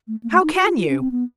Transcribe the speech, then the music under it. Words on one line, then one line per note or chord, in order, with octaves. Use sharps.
How can you?
A3
A#3
A3
D#4
F#4
F4
F4
C#4
C4
B3